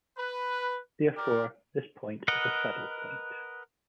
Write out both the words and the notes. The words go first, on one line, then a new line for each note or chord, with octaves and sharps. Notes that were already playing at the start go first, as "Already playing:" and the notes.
Therefore, this point is a saddle point.
B4
G4 A#4 D5
A#4 B4 D#5 F#5